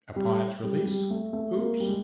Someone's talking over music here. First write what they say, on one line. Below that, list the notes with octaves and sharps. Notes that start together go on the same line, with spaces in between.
Upon its release, Oops!...
G3
G3
G3
A3
A3
A#3
G3
G#3